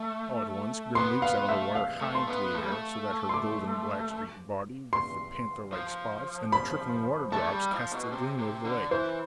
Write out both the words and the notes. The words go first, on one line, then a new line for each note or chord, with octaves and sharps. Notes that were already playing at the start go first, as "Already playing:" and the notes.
All at once, Grim leaps out of the water high into the air, so that her golden, black-streaked body, with the panther-like spots and the trickling water-drops, casts a gleam over the lake.
Already playing: A3
B3 C6
B3 F5
A3 E5
F5
A3
C6
B3
A3
G3
A3
C6
D6
C6
F3
B5
A3 A5
G3
F3
B2
C3
C3
D3
E3 C5